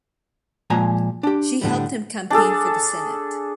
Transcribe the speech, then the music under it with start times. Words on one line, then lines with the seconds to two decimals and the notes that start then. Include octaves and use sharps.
She helped him campaign for the Senate.
0.70 A#2 F3 G#3 G#5 A#5
1.23 D4 G4
1.61 A2 D3 G3
2.30 D4 G#4 A4